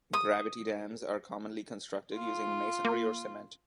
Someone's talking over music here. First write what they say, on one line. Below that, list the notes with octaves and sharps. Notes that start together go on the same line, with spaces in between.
Gravity dams are commonly constructed using masonry or cement.
D#6
F4
A#3